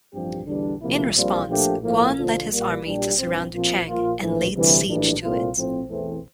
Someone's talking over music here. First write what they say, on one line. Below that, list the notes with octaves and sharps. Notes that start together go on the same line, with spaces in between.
In response, Guan led his army to surround Duchang and laid siege to it.
A1 G2 F3 C4 G4
E2 D3 G3 D4
D2 C3 F3 A#3 E4
A#1 A#2 G3 C4 F4
A#2 F3 A3 D4 G4
A2 F3 A#3
D2 D3 F3
A#2 G3 A#3
A#2 G3 D4 G4
G2 F3 C4
A#2 F3 C4 F4
A#2 F3 A#3 F4
A#1 A2 E3
D2 C3 E3 G3
A#1 A2 E3 G3 D4
C2 A#2 A3 C4 F4
A2 F3 C4
E2 E3 A3 C4